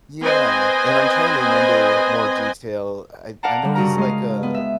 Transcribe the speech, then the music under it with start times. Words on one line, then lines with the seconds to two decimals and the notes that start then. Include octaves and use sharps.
Yeah, and, I'm trying to remember more detail, I I know he's like a
0.23 C4 B4 C5 D#5 G#5
3.43 A#4 D5 F5 F#5 A5 A#5
3.62 D3 G3
3.75 G2 C#3 F#4 A#4 A#5
3.98 G#3 D#5 F5
4.43 B3
4.54 E5